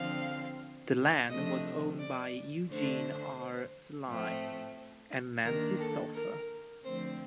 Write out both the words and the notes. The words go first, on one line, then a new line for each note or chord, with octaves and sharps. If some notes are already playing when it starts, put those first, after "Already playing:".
The land was owned by Eugene R. Sly and Nancy Stauffer.
Already playing: D3 F3 C4 F5
C3 F3 A3 D4 D#5
D5
D3 A3 D4 C5
A2 F3 A3 C4
D#3 A#3 D4 A#4
A4
A#4
D3 F3 A3 C4 C5